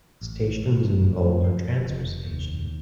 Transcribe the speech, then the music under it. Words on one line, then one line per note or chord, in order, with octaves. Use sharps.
Stations in bold are transfer stations.
A1
A1
A2
F3
F1
D#2